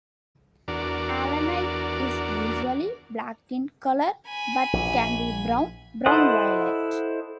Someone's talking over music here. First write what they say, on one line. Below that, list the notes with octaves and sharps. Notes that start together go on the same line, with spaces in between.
Allanite is usually black in color, but can be brown, brown-violet.
E2 D4 F#4 A#4 D5
G#5 B5
A#1
E4 A4 C5 D#5 F#5